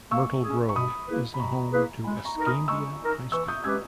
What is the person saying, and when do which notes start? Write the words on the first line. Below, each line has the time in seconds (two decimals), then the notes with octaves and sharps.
Myrtle Grove is the home to Escambia High School.
0.11 A#3 C#6 E6
0.43 G#4
0.48 C#4
0.69 C#6
0.75 B2 B5 D#6
1.08 A#3 E4 G#4 B4
1.34 B5
1.40 B2 A#5 C#6
1.72 A#3 E4 G#4 B4
2.04 G#3 G#5 B5
2.25 A#5 C#6
2.36 D#4 A#4
2.46 B5 D#6
2.68 G#3 C#6 E6
3.00 D#4 A#4
3.32 E3 C#6 E6
3.48 D#6 G6
3.64 G#3 C#4 G4 B4 E6 G#6